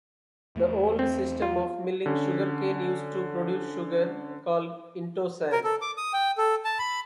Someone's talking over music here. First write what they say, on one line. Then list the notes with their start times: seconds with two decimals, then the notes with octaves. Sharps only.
The old system of milling sugar cane used to produce sugar, called "intosan".
0.56 E2 A3
0.99 C4
1.42 F4
2.06 D3 C#4
5.52 A#4
5.64 A4
5.81 D6
5.97 D#6
6.13 G5
6.38 A4
6.65 A5
6.79 B5